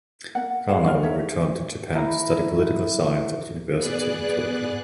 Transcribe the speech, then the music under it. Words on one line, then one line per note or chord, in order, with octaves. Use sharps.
Kano returned to Japan to study Political Science at university in Tokyo.
A#3 F#5
G#4 F5 F#5
G1 D5 F6
A#3 D#4 A4 C#5 E5
E4 A#5
B3 G#4 D5 F#6